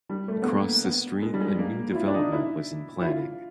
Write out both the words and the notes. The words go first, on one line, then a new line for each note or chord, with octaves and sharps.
Across the street a new development was in planning.
G3
A3
B3
A#3
B3
G#3
G3
G#3
A#3
F4
E4
D4
D#4
E4
E4
F4